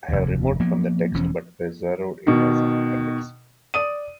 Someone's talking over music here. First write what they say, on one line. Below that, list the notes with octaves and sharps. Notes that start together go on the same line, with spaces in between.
I have removed from the text but preserved it as an appendix.
F1 D#2
F3 A#3 B3
E1 E2 F3 C#4
B2 D#3
D5 D#6 D#7